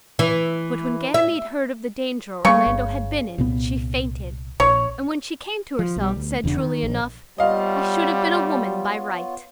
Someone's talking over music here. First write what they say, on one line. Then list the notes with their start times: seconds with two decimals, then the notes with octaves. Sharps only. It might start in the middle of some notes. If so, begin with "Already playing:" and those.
But when Ganymede heard of the danger Orlando had been in she fainted; and when she came to herself, said truly enough, "I should have been a woman by right."
0.19 E3
1.14 E5
2.45 C#3 G3 A#3 C#6
2.66 G1
3.38 C2 A#2 B3
4.60 A#1 C#5
5.79 F3
5.96 B1 G3
6.16 D2
6.44 E1 E2 C#3 D4
6.58 D#3
6.83 A#1
7.38 G3 B3 F4 C#5 D#5 F5